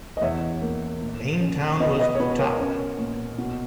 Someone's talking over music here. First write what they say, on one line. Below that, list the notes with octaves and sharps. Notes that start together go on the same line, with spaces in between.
The main town was Putao.
D#5
E2 C#5 E5
A#3
A#2
C#4
B2 B4 D#5
B4 D#5
C#5
B2 B4
B4
A#4 C#5
C#4
A#2
B2